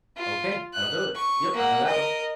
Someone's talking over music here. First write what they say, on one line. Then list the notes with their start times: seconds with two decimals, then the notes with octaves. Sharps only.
Okay, that'll do it, yep, I know that one.
0.17 F4
0.74 F#6
1.15 C#6
1.53 A#3 F#5
1.86 A#4 D#5